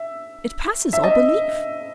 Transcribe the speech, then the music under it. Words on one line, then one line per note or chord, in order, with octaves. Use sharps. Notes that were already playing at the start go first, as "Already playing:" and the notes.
It passes all belief.
Already playing: E5
E5
D#5